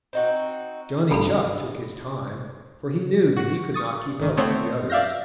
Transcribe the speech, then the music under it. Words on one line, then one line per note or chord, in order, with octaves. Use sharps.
Johnny Chuck took his time, for he knew that he could not keep up with the others.
C4 D#4 F#4
C2 G2 D4 A4 B5
F#4 C#7
C#6 D#6 A6
G#1 D#3
A3 B3 C4 C#5
D5 E5 F5 G6 A#6